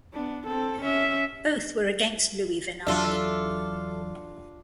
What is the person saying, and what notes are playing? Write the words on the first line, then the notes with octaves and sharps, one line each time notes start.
Both were against Luis Vinales.
B3 D4
C4 A4
C#4 E5
E2 F#3 D4 F4 A4 E5